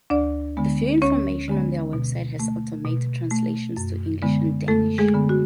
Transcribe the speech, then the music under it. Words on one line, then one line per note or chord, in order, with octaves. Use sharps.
The few information on their website has automated translations to English and Danish.
D2 D4 D5
D3 G#3 B3
D2 C#4 C#5
D3 G#3 B3
B2
A3
B2
A3
F#2
D3 G#3 B3
F#2 A3 A4
G#3 G#4
D3 G#3 B3
F#4